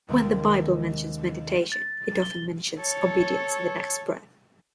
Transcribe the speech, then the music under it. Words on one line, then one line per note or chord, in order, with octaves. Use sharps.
When the Bible mentions meditation, it often mentions obedience in the next breath.
D#2 C3 D#3 G#3 A#3 C#4
A6
G7
A4 C#5